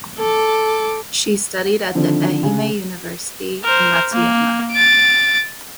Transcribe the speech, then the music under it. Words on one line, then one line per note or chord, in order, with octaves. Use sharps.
She studied at the Ehime University in Matsuyama.
A4 D6
D3 D#3 F3 C4 D4
C#3 G#5
A#4 C5
A#3
A6 D7